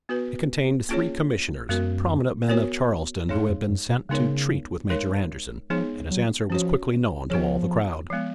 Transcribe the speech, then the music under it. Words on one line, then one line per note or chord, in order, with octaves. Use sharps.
It contained three commissioners, prominent men of Charleston who had been sent to treat with Major Anderson, and his answer was quickly known to all the crowd.
B3 F#4 B4
A#3 C#4 F4 G#4 C#5
F#2 G#3 B3 F#4 A#4
B3 F#4 A#4 C#5
F2 G#3 D#4 G#4 C#5
F2
F#2
B2
C#3 G#3 B3 D#4 A#4 C#5
G#3 D#4 A#4 C#5
F3 G#3 B3 D#4 G#4 C#5
F#3
F3 C#4 F#4 C#5
F3 B3 F4 G#4 C#5
F3 G#3 B3